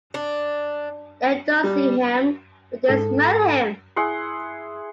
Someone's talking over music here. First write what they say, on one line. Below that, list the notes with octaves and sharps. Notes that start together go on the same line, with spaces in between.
They don't see him, but they smell him.
D4
G3
G#2 A4
E4 G#4 F#5 C6